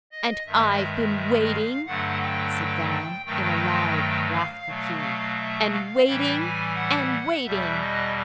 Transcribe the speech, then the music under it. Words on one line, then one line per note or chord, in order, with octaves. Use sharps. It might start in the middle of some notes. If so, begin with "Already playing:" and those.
"And I've been waiting," said Van, in a loud wrathful key, "and waiting--and waiting!"
D#5
G2 D#3 G#3 E5
F5
G2 D3 F#3 A3 F#5
G5
G5
G2 D#3 F#3 A3 G5
F5
B2 F#3 A3
F5
E5
F5
A2 E3 G3 G5
G#5
F#5
F#5
E2 B2 G3 E5
D#5